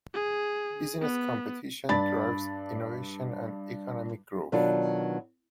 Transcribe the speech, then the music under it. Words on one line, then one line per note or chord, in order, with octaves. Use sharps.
Business competition drives innovation and economic growth.
G#4
B3
G2 D4 D5 B5 A6
B2 D#3 F#3 B3 D4 F4